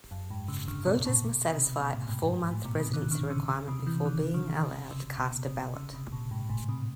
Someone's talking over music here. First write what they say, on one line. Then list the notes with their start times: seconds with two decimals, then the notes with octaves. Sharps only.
Voters must satisfy a four-month residency requirement before being allowed to cast a ballot.
0.11 F#2
0.30 G#2
0.48 C#3
0.68 D3
0.86 B2
1.05 A#2
1.24 B2
1.52 C3
1.80 B2
1.94 A2
2.09 G#2
2.23 G2
2.37 G#2
2.50 A2
2.65 B2
2.79 C3
2.93 D#3
3.11 D3
3.30 C#3
3.50 C#3
3.68 C3
3.87 E3
4.05 D#3
4.34 D3
4.63 C3
4.91 C#3
5.18 B2
5.47 C3
5.75 C#3
5.93 C3
6.12 A#2
6.31 G#2
6.49 A2
6.69 C3